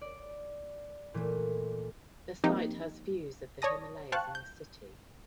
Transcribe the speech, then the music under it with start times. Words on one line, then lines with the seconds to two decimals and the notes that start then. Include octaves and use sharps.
The site has views of the Himalayas and the city.
0.01 D5
1.14 A#2 E3 A3
2.44 F3 A#3 C4 D#4 G4
3.62 C#5 D5 A5 D#6 A#6
4.12 C5 F5 G5 A5 C#6 F#6
4.35 G6